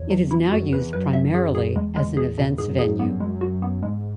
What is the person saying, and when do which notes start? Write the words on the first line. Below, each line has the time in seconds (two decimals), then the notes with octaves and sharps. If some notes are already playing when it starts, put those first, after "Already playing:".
It is now used primarily as an events venue.
Already playing: E2 C#5
0.10 F#3
0.31 E4
0.51 F#2 F#4
0.72 E2 B4
0.93 F#2 B4
1.13 E5
1.35 G#4
1.55 G#4
1.76 E2 G#3
1.96 G#3
2.17 G#4
2.38 B2
2.58 G#2 G#4
2.67 F#2
2.76 E2 G#4
2.85 F#2
2.99 B3
3.20 G#3
3.41 F#4
3.62 B3
3.83 G#2 G#3